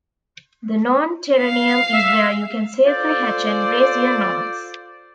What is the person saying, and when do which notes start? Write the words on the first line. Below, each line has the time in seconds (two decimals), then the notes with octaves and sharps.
The Norn Terranium is where you can safely hatch and raise your norns.
1.39 F5 C7
1.94 E5
2.86 F4 A4 C5 D5